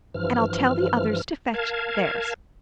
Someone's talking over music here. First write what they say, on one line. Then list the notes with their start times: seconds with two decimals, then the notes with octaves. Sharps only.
And I'll tell the others to fetch theirs.'
0.14 G2 E3 F3 F6
1.54 A#4 F5 A5 G#6